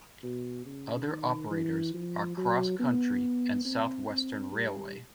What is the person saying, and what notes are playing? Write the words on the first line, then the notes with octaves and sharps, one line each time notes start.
Other operators are CrossCountry and South Western Railway.
B2
C#3
D#3
E3
F3
F#3
B3
C4
C4
G3